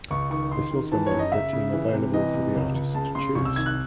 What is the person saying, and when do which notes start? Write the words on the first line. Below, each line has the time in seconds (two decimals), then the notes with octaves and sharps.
This also makes their team available for the artist to choose.
0.11 C#2 C#6
0.30 D#3 C#6
0.51 D#3 C6
0.71 D#3
0.92 E3 A5
1.06 C#5
1.12 F#2
1.19 D#5
1.32 C#3 E5
1.53 C#3
1.73 E3
1.93 C3
2.14 E3 D#5
2.34 C3
2.55 C#2
2.74 C#2
2.94 C#3 A5
3.15 C#3 C6
3.35 C2 C#6
3.45 E6
3.56 D#3 G#6
3.66 F#6